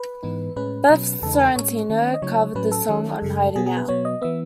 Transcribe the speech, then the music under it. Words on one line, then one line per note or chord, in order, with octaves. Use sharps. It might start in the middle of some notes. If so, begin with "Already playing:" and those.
Beth Sorrentino covered the song on "Hiding Out".
Already playing: B4
G#2 E3 B3 D#4
A2 G#3 C#4 B4
B2 F#3 C#4
E2 C#3 G#3 D#4 A4
B4
A4
A2 G#3 C#4 C#5
D#3 A3 C#4
D#5
C#3 F#3 A3 D#4 C#5
A2 F#3 C#4 B4
A4
D#3 F#3 C#4
F#2 C#3 G#3
B2 F#3 B3 G#4
G#4
B4
B2 F#3 B3 C#5
D#5
E3 B3 E5